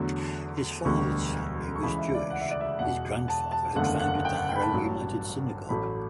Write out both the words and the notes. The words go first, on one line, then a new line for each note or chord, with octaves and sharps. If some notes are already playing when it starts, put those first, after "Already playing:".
His father's family was Jewish; his grandfather had founded the Harrow United Synagogue.
Already playing: E2 D3 F#3 A3
E1 D2 D3 G3 B3 C#6
C#6
C#2 C#3 E3 B5
E5
D5
F#5
E5
D5
E5
E1 E2 B2 F#5
A5
A5
F#1 E2 D3 A3 F#5
F#5
G5
F#5
G5
B5
A5
A1 G2 F#3
A1 A2 F#3 A3 B5